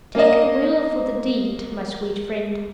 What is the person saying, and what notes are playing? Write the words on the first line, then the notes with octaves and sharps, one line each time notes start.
Take the will for the deed, my sweet friend.
A#3 D#5